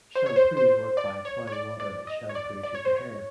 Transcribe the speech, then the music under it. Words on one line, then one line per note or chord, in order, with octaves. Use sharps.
Shampoos work by applying water and shampoo to the hair.
C5
C#5
C5
C5
D5
C#5
C#5
D5
D5
D#5
C#5
D5
D5
C#5
C5
C#5